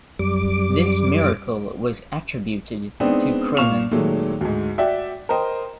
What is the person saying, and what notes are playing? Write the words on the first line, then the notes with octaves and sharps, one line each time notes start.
This miracle was attributed to Cronan.
F#2 G3 D6
G#3 B3 C4 D4 D#4
A#2 F5 C#6 F6 E7 F7
A#2 D#3 F#3 G#3 A3
D2 G#2
F#4 D5 E5 G5
A#4 C5 D#5 G5